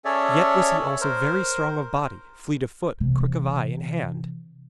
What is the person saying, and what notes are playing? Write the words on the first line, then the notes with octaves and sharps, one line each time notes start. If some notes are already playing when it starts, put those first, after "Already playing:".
Yet was he also very strong of body, fleet of foot, quick of eye and hand.
C#4 G#4 A4 C#5 D5 E5
A#4 C5
C3 E3